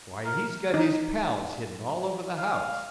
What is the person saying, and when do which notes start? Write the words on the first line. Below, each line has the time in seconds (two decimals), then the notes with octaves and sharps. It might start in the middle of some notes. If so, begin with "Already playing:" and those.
"Why he's got his pals hidden all over the house."
0.25 A#4
0.74 D#4
2.38 F5